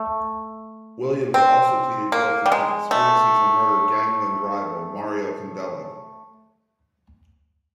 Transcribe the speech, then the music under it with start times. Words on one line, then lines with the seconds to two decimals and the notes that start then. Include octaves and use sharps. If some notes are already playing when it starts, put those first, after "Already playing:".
Williams also pleaded guilty to conspiracy to murder gangland rival Mario Condello.
Already playing: A3
1.34 C4
2.12 A#3
2.46 G3
2.52 G#3
2.91 A3